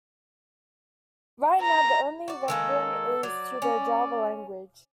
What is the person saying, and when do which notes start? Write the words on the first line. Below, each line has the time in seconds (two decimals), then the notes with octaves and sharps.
Right now, the only rendering is to the Java language.
1.61 A#5
2.28 F#4 D5
2.48 D#3 G#3 A#3 A4
3.23 F#3 D5
3.62 C#4